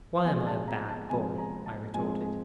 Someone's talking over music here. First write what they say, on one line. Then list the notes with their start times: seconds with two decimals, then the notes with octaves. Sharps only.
"Why am I a bad boy?" I retorted.
0.25 C3 F3 G#3 G#5
0.47 A5
0.68 A#5
0.89 A5
1.10 C3 F3 G#3 G#5
1.38 A#5
1.66 A5
1.94 G#2 F3 G#3 C4 G#5